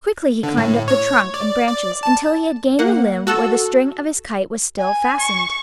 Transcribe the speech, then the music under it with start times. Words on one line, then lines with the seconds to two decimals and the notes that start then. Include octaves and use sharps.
Quickly he climbed up the trunk and branches until he had gained the limb where the string of his kite was still fastened.
0.43 D3
0.57 A2
0.88 C#5
1.34 D5
1.68 D5
2.03 A5
2.79 A#3 F#5
3.27 F#4 A4 E6
4.79 G#5
5.21 C#6